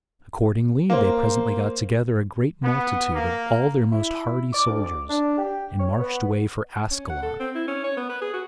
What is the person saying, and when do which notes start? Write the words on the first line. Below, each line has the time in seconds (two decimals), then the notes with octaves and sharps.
Accordingly, they presently got together a great multitude of all their most hardy soldiers, and marched away for Ascalon.
0.90 A#3 C5
2.63 B3
3.14 A#3
3.92 E4
4.53 D6
4.67 D2
4.82 D6
5.09 D4
5.38 G4
5.79 C#5
6.00 B3
6.91 C#4
7.09 F#5
7.23 A4
7.40 C4
7.55 E4
7.67 C#4
7.84 C#5
7.97 B3
8.09 B4
8.21 G#4
8.34 F#4